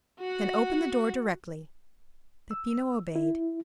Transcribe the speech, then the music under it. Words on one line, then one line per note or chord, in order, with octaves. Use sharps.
"Then open the door directly." Peppino obeyed.
F#4 F#5
E6
E4